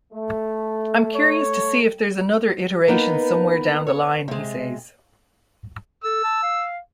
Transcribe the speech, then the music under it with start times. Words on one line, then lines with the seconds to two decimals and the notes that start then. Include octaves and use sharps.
I'm curious to see if there's another iteration somewhere down the line, he says.
0.13 A3
1.15 C#5
2.88 A#3 B3 D#4 B4
3.87 C#5
4.28 C3 G#3
6.04 A4 E6
6.24 A5
6.43 F5